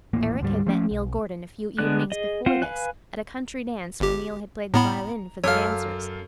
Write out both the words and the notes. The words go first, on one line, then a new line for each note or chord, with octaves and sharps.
Eric had met Neil Gordon a few evenings before this, at a country dance where Neil had played the violin for the dancers.
D#1 A1 A2 A#3
D2 G#2 G3
F3 A3 C#4
B1
D3 G#3 B3 D4 F#6
G#4 D#5
C4 F4 C5 F5 F#5
B4 F5 G#5 F#6
G1 G4
A2 B3 A#5 B5
F#2 A4 C#5 F5 F6